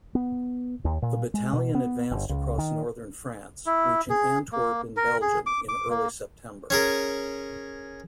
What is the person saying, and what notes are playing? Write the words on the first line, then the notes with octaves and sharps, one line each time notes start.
The battalion advanced across Northern France, reaching Antwerp in Belgium in early September.
B3
D#2
A#2
G#3
B2
B3
G1
C#2
D#3
E4
G#4
A#3
A#4
G#4
D6
D6
A#3
C#4 G#4 A#4